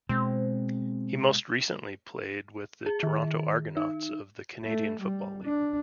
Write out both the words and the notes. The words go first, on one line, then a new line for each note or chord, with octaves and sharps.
He most recently played with the Toronto Argonauts of the Canadian Football League.
B2 G#3 C4
G#4
D#3
D#4
A3
G3
D4